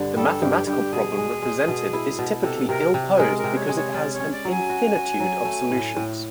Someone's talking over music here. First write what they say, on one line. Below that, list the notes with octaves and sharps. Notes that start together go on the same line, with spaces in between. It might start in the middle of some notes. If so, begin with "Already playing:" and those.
The mathematical problem represented is typically ill-posed because it has an infinitude of solutions.
Already playing: G2 D3
G3 A4
G2 G4
G2 G4
B2 G#4
G#3
G#3
B2
E4
B2
C3 A4
C3 A#4
C3
G#3 A#4
A#4
C3
C#5
G#3
C#5
C#4 D5
C#5
C#4
D5
F#3
G#5
F#4
F#4
F#3
A3
A2
A2